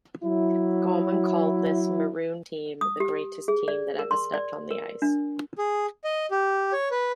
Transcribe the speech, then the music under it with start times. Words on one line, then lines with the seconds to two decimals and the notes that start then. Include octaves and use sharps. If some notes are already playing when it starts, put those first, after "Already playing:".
Gorman called this Maroon team the greatest team that ever stepped on the ice.
0.22 F#3 E4
2.81 D#6
3.00 G4
3.48 G#4
3.68 D5
3.99 A#4
4.11 C6
4.34 D5
4.71 A#4
5.02 D4
5.58 G#4
6.04 D#5
6.31 G4
6.73 C#5
6.91 B4